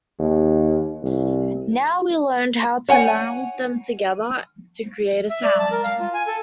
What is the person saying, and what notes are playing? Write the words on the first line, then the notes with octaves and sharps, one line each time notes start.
Now we learned how to meld them together to create a sound.
D#2
C2
C#5 F#5 G#5
E5
D5
A5
A#4
F5
F4
G#5
A4